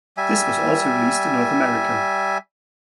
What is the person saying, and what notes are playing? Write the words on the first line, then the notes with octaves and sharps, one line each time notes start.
This was also released in North America.
G3 E5 G#5